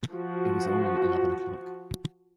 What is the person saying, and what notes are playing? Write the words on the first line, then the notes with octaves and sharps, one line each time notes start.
It was only eleven o’clock.
F3 F#4